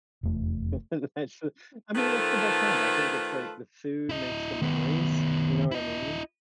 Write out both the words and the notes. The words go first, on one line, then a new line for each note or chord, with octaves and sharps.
That's so I mean, it's the best time. I think it's, like, the food makes the memories. You know what I mean?
F1 E2 A3
D#3 A3 F4 A4 B4 C5
E4 D#5
D#3 B3
E4 D#5